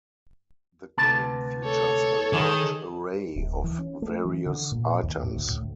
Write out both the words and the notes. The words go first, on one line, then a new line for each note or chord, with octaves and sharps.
The game features a large array of various items.
D2 C3 B4 A5
A4 C#5
D#3 G#4
D1
E3
C#4
A3
E3
D3
A#2
D#2
A2
D2
A2
D2